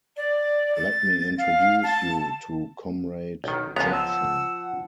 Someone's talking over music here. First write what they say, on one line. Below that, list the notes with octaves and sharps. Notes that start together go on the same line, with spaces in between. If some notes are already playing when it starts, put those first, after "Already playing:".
Let me introduce you to Comrade Jackson.
D5
A6
F5
A5
B1 D#3
C#2 F3 G#3 B3 F#5 A#5
E6